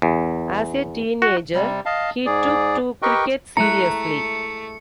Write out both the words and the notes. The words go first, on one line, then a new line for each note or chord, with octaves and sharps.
As a teenager, he took to cricket seriously.
E2
F#4
C3 G3
D#5 F5 A5
G#2 G#4 D5
G4 A#4 B4 D#5 G5 C#6
G#3 A3 E4 A#5 F#6 C#7